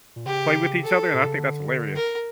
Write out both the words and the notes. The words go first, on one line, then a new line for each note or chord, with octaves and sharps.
play with each other, and I think that's hilarious.
A#2
C#3 G4
A4
A#2
C#3
D3
A#4